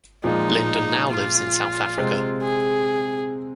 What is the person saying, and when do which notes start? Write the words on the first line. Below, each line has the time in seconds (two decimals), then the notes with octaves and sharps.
Lyndon now lives in South Africa.
0.24 A#2 F3 G#3 D#4
1.10 F4
1.97 C3 G#3 C4
2.42 G#4